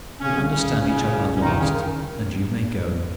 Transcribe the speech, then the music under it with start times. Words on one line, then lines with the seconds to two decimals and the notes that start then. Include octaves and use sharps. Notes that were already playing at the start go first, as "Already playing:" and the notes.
We understand each other at last, and you may go.
0.20 A#2 C#3 C#4
0.35 C2
0.50 C2 C#3 C#4
0.66 A#2
0.81 A#2 C#3 C#4
0.96 C2
1.12 C2
1.27 A#2
1.35 C#4
1.42 C3 D#3 D#4
1.57 C2 C#3 C#4
1.73 D#3